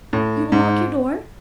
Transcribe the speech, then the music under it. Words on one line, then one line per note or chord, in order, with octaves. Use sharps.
You will lock your door?'
A2
G#2